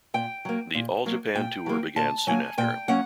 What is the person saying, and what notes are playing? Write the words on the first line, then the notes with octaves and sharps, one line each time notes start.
The all-Japan tour began soon after.
A#2 G5
F#3 A#3
A#2
F#3 A#3
A#2 G5
F#3 A#3
A#2 A5
F#3 A#3 G#5
A#2 G5
F#3 A#3 C#4 F#5